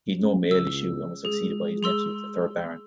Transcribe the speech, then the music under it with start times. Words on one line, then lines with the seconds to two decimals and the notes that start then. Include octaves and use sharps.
He had no male issue and was succeeded by his nephew, the third Baron.
0.19 C#4
0.51 C#2 E6
1.25 G#3 G#4
1.83 G#4 C6 E6